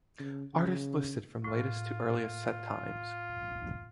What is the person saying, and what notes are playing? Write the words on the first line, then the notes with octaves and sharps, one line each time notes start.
Artists listed from latest to earliest set times.
C#3
C#3
A2 F4